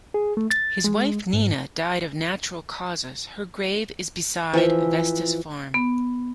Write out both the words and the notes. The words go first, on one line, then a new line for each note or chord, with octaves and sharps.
His wife, Nina, died of natural causes; her grave is beside Vesta's farm.
G#4
A3
A6
G#3
G#2
E3 F3 E5
B3